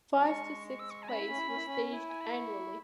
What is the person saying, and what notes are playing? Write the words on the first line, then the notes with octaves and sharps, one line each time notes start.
Five to six plays were staged annually.
F#3
G#3 C#6
C#6
E6
C#6
G#5
C#4 B5
E4
C#4
E4
C#4
E4
C#4
E4 G#5
G#5
B5
C#6